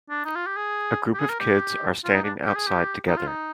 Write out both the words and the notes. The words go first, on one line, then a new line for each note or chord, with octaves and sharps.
A group of kids are standing outside together.
D4
D#4
F4
G4
G#4
G4
G#4
A#4
G4
F4
D#4
D4
G4
G#4
G4
D#4
F4
D#4